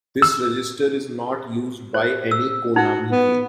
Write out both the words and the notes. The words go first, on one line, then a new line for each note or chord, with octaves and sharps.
This register is not used by any Konami game.
E6
C5
E6
D#4 F#4
B3